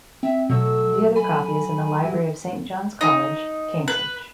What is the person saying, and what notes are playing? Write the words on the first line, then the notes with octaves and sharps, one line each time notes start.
The other copy is in the library of Saint John's College, Cambridge.
C4 E5
B2 F#3 A3 C#5 E6
G#5 B5
F#3 G3 E4
D#4
B4